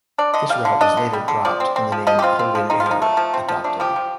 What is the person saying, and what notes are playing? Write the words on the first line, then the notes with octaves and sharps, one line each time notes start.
This route was later dropped and the name Colgan Air adopted.
D4 D5
D3 D#5
G3 F5
D3
D4 D#5
D3
G3
D3
F3 D5
C4
C4
F3
F3 D#5
G4
C4 F4
C4
F3
C4 D#4
F4
F3
D#4
A3
F3
C4
F3
A3 D4
F3 G4
F3